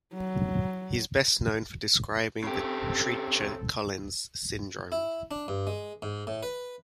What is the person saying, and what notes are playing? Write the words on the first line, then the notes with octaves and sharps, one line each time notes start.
He is best known for describing the Treacher Collins syndrome.
F#3
C#3 C4 G4 A4
E4
D4
G2
G#3
G#2
A2
B4